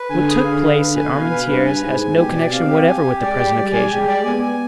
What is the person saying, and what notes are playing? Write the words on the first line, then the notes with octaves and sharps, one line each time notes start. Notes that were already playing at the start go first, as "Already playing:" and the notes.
What took place at Armentieres has no connection whatever with the present occasion.
Already playing: B4
D3 G#5
G#4
D3 F5
B4
D3 B4
G#5
B2 F5
B4
G2 B4
G#5
G#2 G#5
G#5
B2 G4
D5
C3 F5
G4
G#5
G4
G#3 D5
G4
G3 D5
G#5
G#3 G4
D5
B3 G#5
G#5